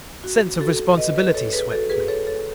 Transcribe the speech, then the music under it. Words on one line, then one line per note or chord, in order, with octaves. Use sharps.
A sense of responsibility swept me.
F#4
F#4 A4
B4 D#5
B4 D#5
A4 C#5
G#4 B4
F#4 A4
G#4 B4
A4 C#5
A4 C#5